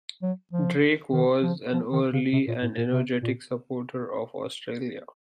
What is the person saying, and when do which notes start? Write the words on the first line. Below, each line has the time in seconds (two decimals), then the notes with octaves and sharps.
Drake was an early and energetic supporter of Australia.
0.23 F#3
0.53 F3
1.13 D#3
1.43 F3
1.73 F3
1.93 D#3
2.13 C#3
2.33 C3
2.48 A#2
2.63 A2
2.78 A#2
2.93 C3
3.22 A#2